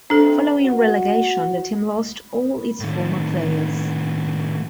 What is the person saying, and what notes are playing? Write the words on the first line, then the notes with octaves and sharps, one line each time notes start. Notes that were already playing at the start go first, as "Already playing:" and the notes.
Following relegation the team lost all its former players.
G2 E3 C4 D4 A4
F#4
A2 D#3